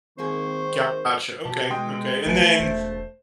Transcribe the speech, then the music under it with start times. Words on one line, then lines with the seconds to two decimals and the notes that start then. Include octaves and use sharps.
Gotcha, okay, okay, and then
0.18 D#3 G#3 A#3 C4 G#4 C5 C#6
1.45 B2 G4 A5
1.71 G#3 G5 C6 D#6
2.26 B1 A3 B4 G#5
2.39 E3
2.60 E1 C5